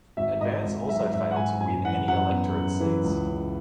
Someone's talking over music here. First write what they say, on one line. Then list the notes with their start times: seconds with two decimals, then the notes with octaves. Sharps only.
Advance also failed to win any electorate seats.
0.17 G#1 E5
0.41 G#2 D#5
0.65 G#1
0.89 F#3 E5
1.12 G#1 E5
1.31 F#5
1.36 G#2 G#5
1.60 F#2 G#5
1.85 E3 F#5
2.08 F#2 F#5
2.32 B3
2.56 F#2
2.80 E3
3.04 C#2
3.27 C#3